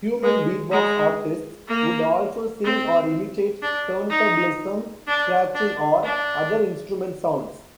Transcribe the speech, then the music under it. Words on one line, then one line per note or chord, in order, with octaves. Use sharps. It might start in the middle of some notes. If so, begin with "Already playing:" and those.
"Human Beatbox" artists would also sing or imitate turntablism scratching or other instrument sounds.
G#3
G#3
A#3
C4
D4
D#4
D4
D4
D4